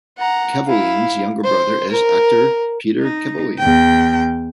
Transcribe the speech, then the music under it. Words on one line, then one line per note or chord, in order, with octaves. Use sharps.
Kevoian's younger brother is actor Peter Kevoian.
F#5 A#5
E4 F5
C5
A#4
D#4
E2 G5